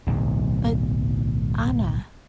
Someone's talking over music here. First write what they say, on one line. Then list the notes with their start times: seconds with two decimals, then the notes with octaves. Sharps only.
"But, Anna..."
0.07 D1 B1 E2